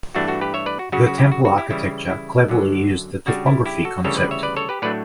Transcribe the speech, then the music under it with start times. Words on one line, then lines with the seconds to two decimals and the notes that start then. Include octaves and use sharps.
The Temple Architecture cleverly used the topography concept.
0.15 G2 E3 A3 D4 F#4
0.28 F#4 A4
0.41 G4 B4
0.54 C#5 E5
0.66 B4 D5
0.79 F#4
0.92 C#3 F#3 C#4 F#4
1.06 F#4
1.18 E4 G4
1.32 F#4
1.45 F#4
1.58 E4 G4
1.71 C#3 E3 G3 E4
2.10 E4
2.48 F#2 D3 F#3
3.26 C#3 G3 D4 F#4
3.46 E4 G4
3.66 E4 G4
3.85 F#4 A4
4.04 D2 C#3 E3 G3 A4 C#5
4.17 B4 D5
4.31 C#5 E5
4.43 B4 D5
4.56 A4 C#5
4.69 G4 B4
4.82 A2 F#3 A3 D4 B4 D5